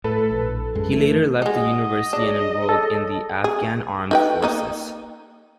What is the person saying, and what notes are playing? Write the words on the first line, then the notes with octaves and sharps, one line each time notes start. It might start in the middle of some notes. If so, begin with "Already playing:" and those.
He later left the university and enrolled in the Afghan Armed Forces.
A2 A4 B4
A#1
F#2 G#3
E3 A3
G#3 D#4 F#4 D#5 F#5
D4 G#4 C#5
A4
G#4
D#4 B4 G5
A#3 D#4 D#5